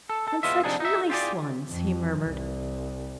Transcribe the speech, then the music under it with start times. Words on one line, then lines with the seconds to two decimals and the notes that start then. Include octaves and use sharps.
"And such nice ones," he murmured.
0.10 A4
0.28 A4
0.43 E2 B3 F4 D#5 E5
0.64 C3 F3 D4 D#4 G#4
0.80 D#4 E5
1.10 F4 G4 G#4 D5
1.69 F2
2.21 C2